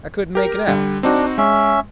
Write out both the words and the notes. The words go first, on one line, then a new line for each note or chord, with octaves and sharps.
I couldn't make it out.
G4 A#4
D3 G3
C4 D4 D#4 F#4
G#3 C#4 E5